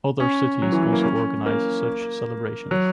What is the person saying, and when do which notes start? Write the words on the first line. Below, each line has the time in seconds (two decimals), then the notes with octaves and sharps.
Other cities also organize such celebrations.
0.20 C#4
0.62 F#3
0.72 E3
0.83 F#3
0.93 A#3
1.03 C#4
1.46 A#3
2.71 F#3